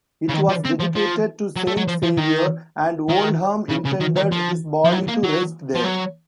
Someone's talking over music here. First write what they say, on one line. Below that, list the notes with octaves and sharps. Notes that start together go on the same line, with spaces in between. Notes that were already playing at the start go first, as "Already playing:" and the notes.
It was dedicated to Saint Saviour, and Oldham intended his body to rest there.
C#3
D#3
F3
C4
F3
F3
F#3
A3
F#3
F3
F3
D#3
D#3
C#3
C#3
D#3
D#3
F3
F3
F#3
A#3
F#3
F3
F#3